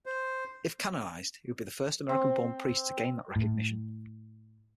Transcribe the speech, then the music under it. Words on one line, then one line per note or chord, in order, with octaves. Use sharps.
If canonized, he would be the first American-born priest to gain that recognition.
C5
C4
A2